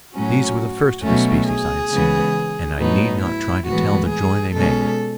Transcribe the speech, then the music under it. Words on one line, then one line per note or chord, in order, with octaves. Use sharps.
These were the first of the species I had seen, and I need not try to tell the joy they made.
A2 F#3 C#4 F#4
B2 F#3 A3 C#4 F#4
G#4
C#3 E3 G#3 B3
A2 F#3 B3 D#4
E4
A2 E3 G#3 B3 F#4
G#4
B2 G#3 C#4 A4